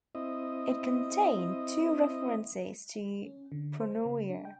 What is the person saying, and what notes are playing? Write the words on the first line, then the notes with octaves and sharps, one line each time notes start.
It contained two references to pronoia.
C4 E4 D#5
C#4
D3
C5
C#3
D4
G5